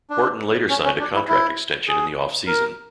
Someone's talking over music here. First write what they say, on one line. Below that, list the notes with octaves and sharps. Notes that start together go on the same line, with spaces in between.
Horton later signed a contract extension in the off-season.
D4
C#4
C#4
D4
E4
E4
G#4
A#4